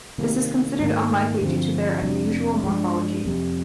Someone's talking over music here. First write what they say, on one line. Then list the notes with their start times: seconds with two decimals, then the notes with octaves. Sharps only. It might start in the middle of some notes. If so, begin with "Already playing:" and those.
This is considered unlikely due to their unusual morphology.
0.18 C3 D#3 G3 A#3
0.80 G#2 D#3 A#3
1.41 G2 D3 F3 C4
2.02 F2 C3 G3 D4
2.63 G2 F3 G#3 D4
3.26 F2 C3 G3